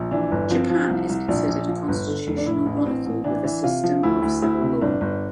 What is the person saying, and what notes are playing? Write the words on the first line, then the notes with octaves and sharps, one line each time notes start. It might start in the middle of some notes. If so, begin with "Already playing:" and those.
Japan is considered a constitutional monarchy with a system of civil law.
Already playing: A#1
E3 D4
G1
F3 C4
F3
C2
C2
A#1 D4
A#1
F3
G1
D3
F1
D4
A2 E4
A1
D4
A1 C4
A1
E3 D4
E3
C3 F4
F3
D2 E4
D2
D2 E4
C3
G1 D4
G1